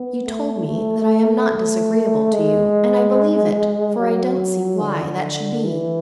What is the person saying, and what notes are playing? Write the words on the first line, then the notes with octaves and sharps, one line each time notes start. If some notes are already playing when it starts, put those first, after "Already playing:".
You told me that I'm not disagreeable to you, and I believe it; for I don't see why that should be.
Already playing: B3
A3
A3
A3
G#3
F#3
D3
E3